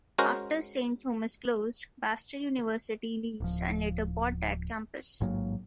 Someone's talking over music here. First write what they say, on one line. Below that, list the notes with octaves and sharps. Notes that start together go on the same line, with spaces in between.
After Saint Thomas closed, Bastyr University leased and later bought that campus.
G#3 C#4 F#4 A#4 C5
D1 F3
A1 G#2 F#3 A#3